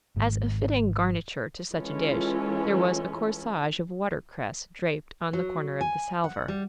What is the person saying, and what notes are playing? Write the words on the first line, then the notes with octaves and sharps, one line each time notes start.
As a fitting garniture to such a dish, there was a corsage of watercress draped on the corner of the salver.
G#1 G#2
E3 G#3 C#4 F4 A4
F#3
G#5
F#5
G3